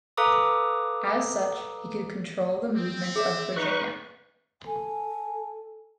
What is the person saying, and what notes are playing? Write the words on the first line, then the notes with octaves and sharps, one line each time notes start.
As such, he could control the movements of "Virginia".
A4 B4 F5 A#5 D6 D#6
C4
G#4 E5
D#4 B4 C#6
A4 G#5